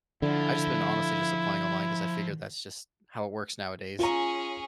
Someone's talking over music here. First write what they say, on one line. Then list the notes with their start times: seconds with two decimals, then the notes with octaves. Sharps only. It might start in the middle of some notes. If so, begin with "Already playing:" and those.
I've just been, honestly, just applying online 'cause I figured that's just how it works nowadays,
0.22 D3 F3 E4
3.99 C#4 F4 G#4 A#5